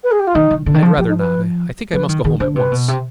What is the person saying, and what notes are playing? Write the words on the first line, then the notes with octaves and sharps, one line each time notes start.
"I'd rather not--I think I must go home at once."
B4
G#4
G4
F4
D#3 D#4
D#3
D3
D#3
F3
F3 G4
D#4
B4
F3 B4
D#3
D#3 G#4
D3 C5
C3 B4
B2
C3